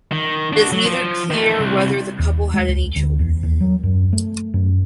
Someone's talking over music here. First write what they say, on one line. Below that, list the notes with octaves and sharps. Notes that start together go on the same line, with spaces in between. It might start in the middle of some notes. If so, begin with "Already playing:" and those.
It is neither clear whether the couple had any children.
D#3
D4 F#4
F#3
F3
D#3 A3
C2
D#2
G#3
C#2
D2
E2
D#2
F#3
F#2
A3
F#2